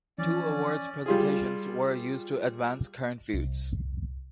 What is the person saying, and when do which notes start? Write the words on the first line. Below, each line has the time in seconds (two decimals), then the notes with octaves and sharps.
Two awards presentations were used to advance current feuds.
0.18 E3 F3 C#4 D5
1.06 G3 F4 G#4
3.34 C2